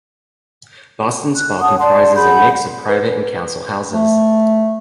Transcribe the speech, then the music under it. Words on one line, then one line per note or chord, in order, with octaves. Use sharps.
Boston Spa comprises a mix of private and council houses.
F#6
C#5 F#5 A5 D#6
D5 A5 C6
G#4 F#5 B5 G6
B4
A3